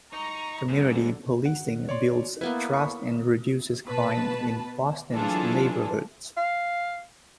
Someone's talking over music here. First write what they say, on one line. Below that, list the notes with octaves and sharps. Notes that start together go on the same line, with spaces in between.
Community policing builds trust and reduces crime in Boston's neighborhoods.
D#4 A#5 C#6
G#2 D3 F#3
F#5
C#5 D5 C6
A#3 B3 E4 B4
B5 C#6
B2 B4 A5
E3 F#3 D4 F4 G#4 A4
F5